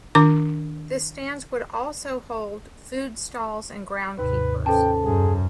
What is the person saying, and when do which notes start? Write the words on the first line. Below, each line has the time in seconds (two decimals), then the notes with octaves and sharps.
The stands would also hold food stalls and ground keepers.
0.15 D#3 D4 D6
4.19 D#2 G#2 C3 B4
4.66 C#4 A4 B4 C5 G5 A5
5.05 F#2 G#4